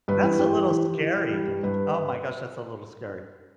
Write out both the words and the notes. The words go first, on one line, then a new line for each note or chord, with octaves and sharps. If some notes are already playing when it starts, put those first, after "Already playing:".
That's a little scary. Oh, my gosh, that's a little scary.
G2 B4
E3
E3 G4
E3
E3
E3
E3
E3
G3
G2
G2 B4